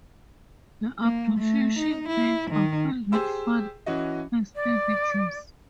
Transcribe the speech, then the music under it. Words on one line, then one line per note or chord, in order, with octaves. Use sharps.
The Appreciation Days are filled with fun festivities.
A#3
A3
D#4
E4
D#3
G4 G#4 C5 E6
E3 C#4 F#4 D#5
D5